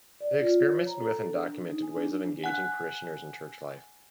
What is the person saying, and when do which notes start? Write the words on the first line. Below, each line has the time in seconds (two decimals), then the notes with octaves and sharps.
They experimented with and documented ways of engaging parishioners in Church life.
0.21 D5
0.39 F4
0.60 C#5
0.87 A#5
1.01 A4
1.29 D4
1.70 D#4
1.82 G#5
1.95 D4
2.44 F#5 G#5 F#6